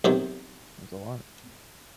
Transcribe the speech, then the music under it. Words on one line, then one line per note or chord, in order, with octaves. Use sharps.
That's a lot.
B1 C3 D#3